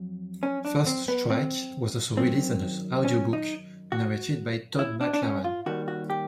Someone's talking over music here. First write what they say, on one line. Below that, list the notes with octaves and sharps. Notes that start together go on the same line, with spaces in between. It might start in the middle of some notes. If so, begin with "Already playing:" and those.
"First Strike" was also released as an audiobook, narrated by Todd McLaren.
Already playing: F2 F#3
C#4
D4
C4
B3
C4
F#2 D#3 F#3 C4
C#4
D#4
F#4
E4
D4
D4
C#4
F4
D#2 D#3 G3 F#4
F#4
G4